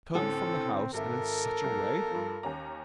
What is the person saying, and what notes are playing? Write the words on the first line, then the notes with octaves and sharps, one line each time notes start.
Turned from the house, and in such a way!
A2 D3 C4 C#4 A4
G#1 A4 A#4 E5
B1
G2 F3
D#2 C#4 A#5